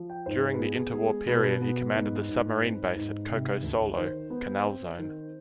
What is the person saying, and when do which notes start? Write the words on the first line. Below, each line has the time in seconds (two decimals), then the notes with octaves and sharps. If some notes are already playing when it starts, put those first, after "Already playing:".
During the inter-war period, he commanded the Submarine Base at Coco Solo, Canal Zone.
Already playing: F3
0.10 G5
0.26 G#2 C5
0.43 G#4
0.54 B4
0.59 B3 G#4
0.93 G#3 G#4
1.27 B2 B4
1.61 B3
1.94 G#2
2.29 G#2
2.61 C4
2.95 G#2
3.29 C3
3.63 D2
3.97 D#3 C5
4.30 B3
4.65 C4
4.98 D#3